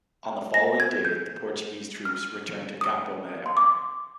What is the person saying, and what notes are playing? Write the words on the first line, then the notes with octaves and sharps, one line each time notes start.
On the following day the Portuguese troops returned to Campo Maior.
A#6
G#6
G6
F6
D#6
C6
D6